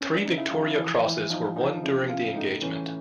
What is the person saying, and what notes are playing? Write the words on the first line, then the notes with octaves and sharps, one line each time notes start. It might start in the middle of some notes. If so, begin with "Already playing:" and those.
Three Victoria Crosses were won during the engagement.
C#4
D4
C#3 D#4
E4
F3 F4
E4
E3 E4
E3 E4
F3 D#4
F3 D#4
C#3 E4
C#3 F4
A2 D#4
E3 C#4